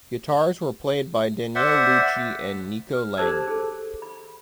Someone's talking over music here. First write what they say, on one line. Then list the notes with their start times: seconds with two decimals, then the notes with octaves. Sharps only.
Guitars were played by Daniele Lucci and Nico Lange.
1.55 C5 D5 E5 F#5
2.93 F6
3.18 G4 A4 C5 A5 E6 G#6
3.48 G#4 A4
4.02 B5